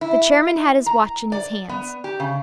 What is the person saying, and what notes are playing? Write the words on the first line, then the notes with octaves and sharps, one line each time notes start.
The chairman had his watch in his hands.
E4
A#5
D5
B3
G4
C#3